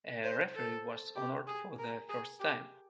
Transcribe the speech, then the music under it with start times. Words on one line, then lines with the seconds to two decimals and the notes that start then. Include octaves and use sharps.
A referee was honored for the first time.
0.24 C5
0.55 A4
1.16 G4
1.47 G#4
1.79 A#4
2.09 G#4
2.40 G4